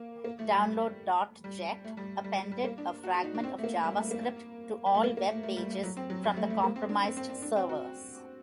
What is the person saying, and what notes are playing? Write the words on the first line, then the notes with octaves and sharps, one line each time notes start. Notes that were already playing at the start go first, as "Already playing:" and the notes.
Download.ject appended a fragment of JavaScript to all web pages from the compromised servers.
Already playing: A#3
A#3
A3
G3
G3
A3
G3
G3
G3
G3
A#3
D4
F#4
F#4
D#4
D4
C4
A3
A#3
G3
A3
A#3
G3
A3
A#3
A#3
A3
A3
G3
A3
F#3
C4
F#3
G3
A3
A3
A#3
C4
D4
C4
C4
C4
D4
C4
F#4